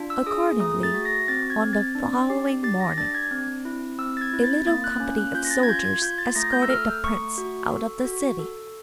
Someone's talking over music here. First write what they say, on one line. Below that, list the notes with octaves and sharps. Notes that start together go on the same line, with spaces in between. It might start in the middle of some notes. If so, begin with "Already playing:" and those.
Accordingly, on the following morning, a little company of soldiers escorted the prince out of the city.
Already playing: D4 F4
E6
G#4 D#6
A3 D#6
A6
F#4
A#6
C4 A6
G#6
C4
A6
D4
G4
G4 A6
A#6
D4 A6
G#6
C4
E4
C4 E6
A6
G#6
E4
A6
A#3 A6
F#6
C#4
F#6
F4 G6
A#6
A6
G#6
F4 G6
G#6
F4 G6
A6
A3 A#6
G6
E6
A4 F6
A3 C#6
F#4
A4
F#4
A4